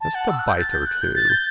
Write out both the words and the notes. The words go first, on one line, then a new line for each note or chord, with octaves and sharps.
Just a bite or two.
A5
F#5
E6
F#6
G6
A6
G6
F#6
G6
A6
G6